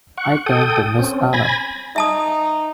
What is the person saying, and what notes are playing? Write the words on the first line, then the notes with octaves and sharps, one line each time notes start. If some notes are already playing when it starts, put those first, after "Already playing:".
I turned to Miss Allen.
F#5 C#6
A4 G5 D#6
C4 C#4
G#5 B5 G#6 A#6
D#4 E5 A5 D#6